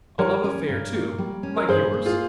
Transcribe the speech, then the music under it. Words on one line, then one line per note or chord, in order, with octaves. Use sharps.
A love affair too--like yours.
G3 A#4 C#5
C#4
G2
A#3
G3
C#4
A#4
G2 G#4 C5
A#3
F4 G#4